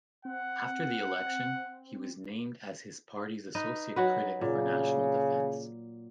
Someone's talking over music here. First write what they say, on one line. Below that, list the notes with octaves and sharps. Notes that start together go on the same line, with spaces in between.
After the election, he was named as his party's associate critic for National Defense.
C4 F#5
D#4 B4 D#5
F#3 F#4 B4
A#2 C#3